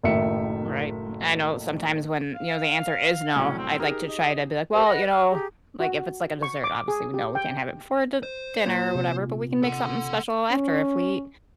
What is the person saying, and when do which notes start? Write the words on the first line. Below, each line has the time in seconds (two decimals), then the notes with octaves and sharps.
Right, I know sometimes when, you know, the answer is "no", I'd like to try to be like, "Well, you know" like, if it's like a dessert, obviously, "We no we can't have it before the dinner or whatever, but we can make something special after if we"
0.03 F#1 A2 D#3 F#3 E5 C#7
2.34 F5
3.36 C2 A2 F#3 C#4
3.58 C4
3.79 D#4 G4 G#4 A#4
4.08 D#5
4.72 G4 A#4 C5 D#5
4.86 B4 D#5 F#5
5.09 F6
5.29 G4 G#4 A#5
5.80 F#4
6.42 C#6
6.64 D6
6.88 G#4
7.14 G4
7.35 G5
8.23 C5
8.66 A#2
8.95 C3
9.63 A4 F#5
10.51 C#4